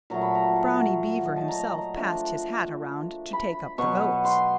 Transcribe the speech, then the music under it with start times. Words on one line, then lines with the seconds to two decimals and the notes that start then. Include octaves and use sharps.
Brownie Beaver himself passed his hat around to take up the votes.
0.10 A#2 F#3 A3 A#5
0.22 B5
0.35 A#5
0.56 F#5
1.26 D#5
1.36 A5
1.48 A#5
1.94 F3 A3 D4
3.33 B5
3.78 B2 F#3 B3 C#6
4.25 C6